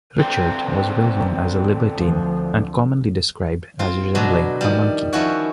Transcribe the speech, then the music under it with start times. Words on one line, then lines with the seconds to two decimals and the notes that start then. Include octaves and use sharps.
Richard was well known as a libertine and commonly described as resembling a monkey.
0.19 D3 C4
1.94 D2 F3
3.79 C4 F4
4.15 B2 D3 F#3
4.61 D#3 F3 G3
5.13 D#3 F3 C#4 E4 F#4 C#5